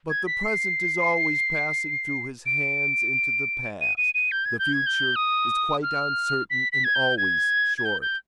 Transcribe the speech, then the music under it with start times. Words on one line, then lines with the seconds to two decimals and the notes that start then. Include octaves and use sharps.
But the present is always passing through his hands into the past; the future is quite uncertain and always short.
0.10 G#6
0.27 B6
0.44 C7
2.46 D7
3.81 D#7
3.98 D#7
4.15 D#7
4.31 G6
4.45 G#6
4.59 G6
4.73 G#6
4.86 G6
5.16 D#6
5.83 F6
6.50 B6
6.72 B6
6.84 G#6
6.95 G6
7.18 G#6
7.78 G#6
7.85 G6
8.02 G6